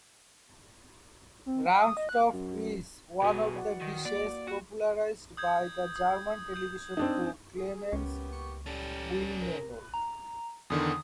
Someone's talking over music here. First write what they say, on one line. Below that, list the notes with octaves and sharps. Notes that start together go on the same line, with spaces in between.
Rumtopf is one of the dishes popularised by the German television cook Clemens Wilmenrod.
C4
F#5
D#6
D#5
F#6
F#2
B2 F#4 G#4 B4
E4 D5 F#5
D#3
A#3 D5
F#4
D#6 G6 G#6
D#6
D#6 G6
C4 D4 D#4
G#4
C#2 A#3 B3 C#4 G4
C#6
G3 C#4 A4 A6
A#4
A#5
E2 D3 D#3 D#6